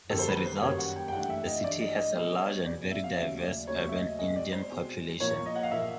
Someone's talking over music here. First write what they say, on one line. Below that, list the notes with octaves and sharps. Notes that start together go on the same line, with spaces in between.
As a result, the city has a large and very diverse urban Indian population.
F#2 D#3 G3 A#3 A4
C5
B4
C5
F#2 D#3 G3 A#3 C#5
F#5
G5
G5
G2 E3 A3 D4 F#5
E5
D#5
G2 E3 A3 D4 D5
D#5
D#5
B2 G#3 B3 D#5
C5
C#5
B2 G#3 B3 D5
E5
F5
D#2 C#3 F#3 A3 C#4 E5
D5
D#2 C#3 F#3 A3 C#4 C#5
E5
D#5
B2 G#3 C4 D#5
D5
C5
B2 G#3 C4
A#2 F3 A#3 C#5
D#5
F#5
F5
A#2 F3 A#3 E5